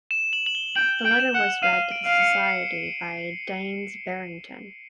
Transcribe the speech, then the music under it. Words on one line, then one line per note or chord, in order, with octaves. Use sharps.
The letter was read to the society by Daines Barrington.
E7
F#7
F#7
G7
G5 F#7
G5
E7
F#5
F5 D#7
D7
F5
C#7
C7
C#7